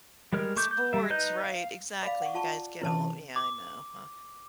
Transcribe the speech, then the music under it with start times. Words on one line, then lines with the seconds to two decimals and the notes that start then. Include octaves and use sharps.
Sports, right. Exactly. You guys get all, yeah, I know, huh,
0.33 G3 G#3 A#4 F6
0.56 A3 C#6 D6 G6
0.71 G6
0.93 G3 E5
1.10 D#4 B4 D#5 G6
1.44 F5
2.03 D5 F5 B5
2.22 F#5 C#6
2.34 F4 A5 C#6
2.82 C3 E3 C#4 E4 C5 A5
3.36 D6